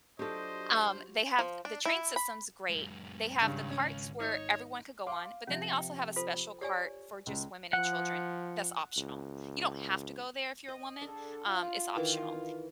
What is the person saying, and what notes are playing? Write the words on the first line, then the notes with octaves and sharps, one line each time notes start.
Um, they have the train system's great. They have the carts where everyone could go on, but then they also have a special cart for just women and children that's optional. You don't have to go there if you're a woman, um, it's optional.
F#3 D4 F4 G4 A4 C5 D#5
F3
D4
E4
B5
F#2 G#3
G#1 C#2 G2 C#3
C#4
D#4 C#5
F5 C6 D6
C3 F3 C#4 E5
G5
F4 A4 C5
G4 C#5 D5 G#5
C#2
F3 F#5
C#2
D#5
D3 D4 G#4 A4
F4
D#3 E3 D6